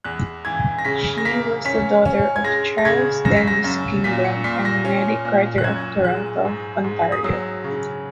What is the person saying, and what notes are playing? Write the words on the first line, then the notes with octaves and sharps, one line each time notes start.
She was the daughter of Charles Dennis Kingdon and Mary Carter of Toronto, Ontario.
E2 F#6
E3 G#6
A#6
C#3 B6
A#6
A#3 B6
C#4 B6
C#4
G#6
G#3 A#6
A#6
C#3 G#6
F#2 A#6
B6
A#6
F#2
A#2 B6
C#7
A#2 B6
A#6
C#4
A#2
F#6
F#2 G#6
G#3 F#6
G#2
G#2
D#6
F#3 E6
C#3